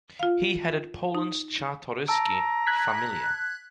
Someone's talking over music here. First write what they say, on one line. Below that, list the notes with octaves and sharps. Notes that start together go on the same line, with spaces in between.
He headed Poland's Czartoryski "Familia".
F4 F5
D#4
A5 A#5 E6 D7
F#6 G#6 B6